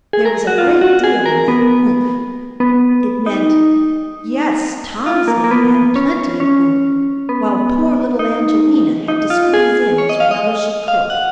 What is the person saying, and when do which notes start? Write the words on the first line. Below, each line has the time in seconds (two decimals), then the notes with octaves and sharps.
There was a great deal in that "humph." It meant: Yes, Tom's name had plenty of room, while poor little Angelina had to squeeze in as well as she could.
0.13 G#4
0.25 A#4
0.47 F#4
0.58 F4
0.81 F#4
1.04 G#4
1.26 A#4
1.48 B3
2.60 B3
3.26 D#4
5.06 F4
5.28 A#3
5.44 A#3
5.51 B3
5.96 C#4
6.40 C#4
7.29 B3
8.19 D#4
9.08 D#4
9.30 F4
9.54 G#4
9.98 C#5
10.09 D#5
10.20 F5
10.31 D#5
10.88 F5
11.10 F#5